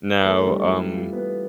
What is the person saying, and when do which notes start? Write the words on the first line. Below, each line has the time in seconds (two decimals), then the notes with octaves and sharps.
Now, um,
0.19 B4
0.24 E3 A3 B3 D4 A4
0.46 G3 G4
0.69 E4
0.91 F4
1.13 B3 B4